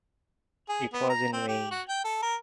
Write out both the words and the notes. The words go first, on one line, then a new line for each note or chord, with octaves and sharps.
It was in vain.
G#4
B3
A#5
C4
G4
F#4
G5
A4
A#4